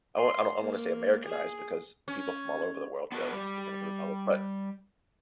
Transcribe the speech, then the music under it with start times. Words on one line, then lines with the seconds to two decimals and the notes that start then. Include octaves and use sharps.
I want I don't I wanna say Americanized because people from all over the world go to Dominican Republic, but,
0.18 C6
0.60 A#3
1.25 G#4
2.08 C#4
3.12 B3 D4 F#4 A#4 B4
3.32 G3 G4